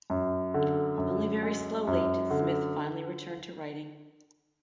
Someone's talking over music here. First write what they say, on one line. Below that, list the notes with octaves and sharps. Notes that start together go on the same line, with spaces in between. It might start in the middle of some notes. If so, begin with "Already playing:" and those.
Only very slowly did Smith finally return to writing.
F#2
D3
F#2
G#3
F#2
D3